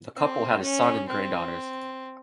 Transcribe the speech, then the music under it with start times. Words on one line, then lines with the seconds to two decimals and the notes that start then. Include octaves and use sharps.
The couple had a son and granddaughters.
0.15 C4
0.62 C#4
1.08 C4